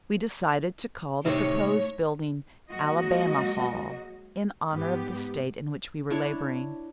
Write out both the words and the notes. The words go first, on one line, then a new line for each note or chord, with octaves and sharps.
We decided to call the proposed building Alabama Hall, in honour of the state in which we were labouring.
A2 C3 D#3 C#5
F#3 G#3 A#3 F#4 D#5
G#2 B3 G4
D4 E4 C#5